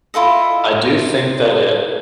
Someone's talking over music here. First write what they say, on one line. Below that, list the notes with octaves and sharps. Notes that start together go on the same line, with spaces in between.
I do think that it
E4 F4 A4 D#5